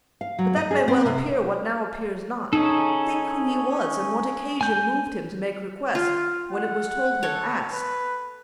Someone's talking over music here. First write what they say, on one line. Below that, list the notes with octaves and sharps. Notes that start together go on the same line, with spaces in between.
But, that may well appear what now appears not, Think who he was, and what occasion moved him To make request, when it was told him, 'Ask.'
F5
F#3
D#5
G#4
C4
C3
C#4 D#4 G#4 A4
G#5 G6
F4
F#5
A4 C#5
B4